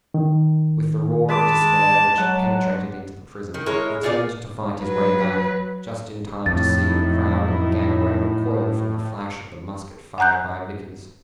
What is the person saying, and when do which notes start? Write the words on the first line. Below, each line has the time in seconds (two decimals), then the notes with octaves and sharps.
With the roar of despair which had penetrated into the prison, he turned to fight his way back, just in time to see the crowd in the gangway recoil from the flash of the musket fired by Vickers.
0.14 D#3
1.29 G#3 A5 B5 D6
2.18 F#3 F#5
3.54 D#3
3.66 G#3 E4 A#4 C#5
4.03 A#2 F4 G#4 D5
4.81 F#3 B4
6.46 F2 A2 F#3 D#4 E4 A6
10.18 F#5 G#5 A#5 F#6 G6